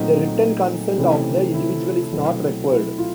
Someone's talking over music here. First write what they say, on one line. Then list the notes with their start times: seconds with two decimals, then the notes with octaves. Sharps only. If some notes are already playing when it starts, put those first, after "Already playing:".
The written consent of the individual is not required.
Already playing: A#2 F#3 A3 C4 D#4
0.98 C3 E3 A3 C#4
1.54 E4
2.12 B2 F#3 A3 C4
2.70 E4
2.98 F4